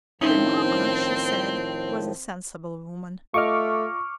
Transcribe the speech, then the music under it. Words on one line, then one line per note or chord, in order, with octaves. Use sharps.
The mamma, she said, was a sensible woman.
A2 D#3 F3 C4 C#4 D#4 E4
A3 F4 D#5 C#6 D6 F6